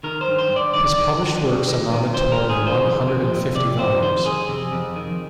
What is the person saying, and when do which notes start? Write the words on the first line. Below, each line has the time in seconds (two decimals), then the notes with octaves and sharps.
His published works amounted to more than one hundred and fifty volumes.
0.03 D#3 A#4
0.21 C5
0.27 G2
0.39 C5
0.50 G2
0.56 D5
0.74 D#3 D5
0.97 D#3
1.21 G2
1.44 G2
1.68 D#3
1.92 D#3
2.14 G2 C5
2.32 A#4
2.38 G2
2.49 G#4
2.61 D#3
2.67 C5
2.85 F2
3.08 D#3
3.32 F2
3.55 C3 D5
3.79 F2 C5
4.02 D#3 C5
4.25 F2 G#4
4.48 C3
4.72 F2
4.96 D#3